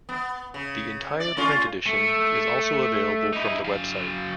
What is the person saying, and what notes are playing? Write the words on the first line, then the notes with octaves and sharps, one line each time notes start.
The entire print edition is also available from the website.
B3
C#3
D5
A3 C#4 F4
A3
D#4 E4
F#3 F5